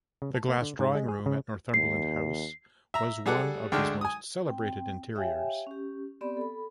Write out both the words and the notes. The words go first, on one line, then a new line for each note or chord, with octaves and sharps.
The Glass Drawing Room at Northumberland House was one of his most celebrated interiors.
C#3
A5
A#3
D3
G#2
G#3
G#4
C#3
D#2 C7
E5 A#5
G3 G#4 A4 F#5 D6
D2 D3 G#3 D4 G5 F6
G#5 D#6
C4 G5
G4 C#5 E5 F5 G5 G#5
C#4 G4
B3 C4 G4 D5 B5
A4 B5